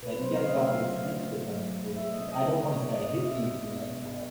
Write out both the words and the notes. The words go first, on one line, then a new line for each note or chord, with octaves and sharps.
that you guys got to experience the time before the in I don't wanna say I hate the internet, but
B2 B4
F#3 C5
F#3 F5
D#5
A3 E5
F#3 F5
F#3
A3
A3
B2
F#3
F#3
A3
F#3 E5
F#3 D#5
C4 D#5
C4
B2 C#5
B2 D5
B3 D#5
B2 D#5
B2 E5
B2
B3
B2
B2
B2